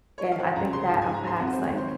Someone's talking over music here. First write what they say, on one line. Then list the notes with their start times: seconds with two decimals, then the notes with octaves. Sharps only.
And I think that unpacks, like,
0.18 C#5
0.24 D#5
0.32 F5
0.39 F3 F#5
0.56 C#2 A#5
0.73 C#3 C6
0.89 G#2
1.02 G#5
1.06 G#2
1.14 A#5
1.23 F#3 C6
1.40 F2 F#5
1.53 C5
1.57 G#3
1.65 C#5
1.74 D#3 C5